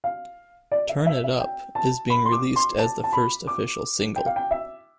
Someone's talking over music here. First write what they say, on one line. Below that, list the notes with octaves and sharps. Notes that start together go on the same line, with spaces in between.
"Turn It Up" is being released as the first official single.
F5
D5
E5
E5
E5
G5
A5
B5
C6
D6
C6
A5
A5
B5
D6
G5
F5
G5
E5